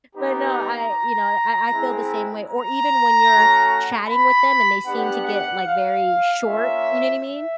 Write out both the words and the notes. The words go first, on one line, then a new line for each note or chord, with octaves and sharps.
but, no, I you know, I I feel the same way, or even when you're chatting with them and they seem to get, like, very short, you know what I mean?
B3 D#4 G4 A#5
G#3 C4 E4
A#5
A3 C#4 F#4
B5
B3 D4 G4 F#5
F#5
F5
A#3 C#4 F4 E5
E5